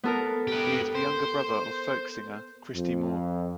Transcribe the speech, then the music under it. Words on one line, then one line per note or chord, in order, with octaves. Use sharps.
He is the younger brother of folk singer Christy Moore.
B3 A4 A#4
G4 B4
C5
F2